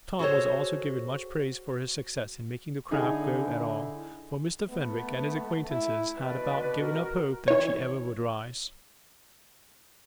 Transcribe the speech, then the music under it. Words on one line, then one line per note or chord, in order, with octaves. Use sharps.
Tom was also given much praise for his success in making the craft go at all, for Mr. Fenwick and his acquaintances had about given up hope that she ever would rise.
F#4 G#4 A4 C5 C#5
D3 D#4 E4 G#4 A4 G#5
A3 B3
E4
B2 B4 D5
F#4 A#4
E3 C#5